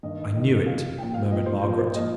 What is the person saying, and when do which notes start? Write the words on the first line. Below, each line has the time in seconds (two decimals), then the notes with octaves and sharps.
"I knew it," murmured Margaret.
0.03 G2 D#3 D#5
0.19 D#5
0.35 G2 D#3 D#5
0.66 A#2 F3 F5
0.98 A#2 F3 G5
1.14 F5
1.31 A#2 F3 D#5
1.46 C5
1.62 A#2 F3 C5
1.78 C5
1.94 A#2 F3 D#5